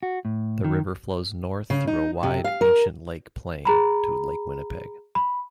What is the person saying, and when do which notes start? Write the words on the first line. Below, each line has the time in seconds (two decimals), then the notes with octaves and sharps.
The river flows north through a wide ancient lake plain to Lake Winnipeg.
0.03 F#4
0.25 A2
0.64 D#3
1.70 C#3
1.87 D#4
2.23 C3
2.44 F5
2.61 A#4
3.65 G#4 A#5 B5
5.15 B5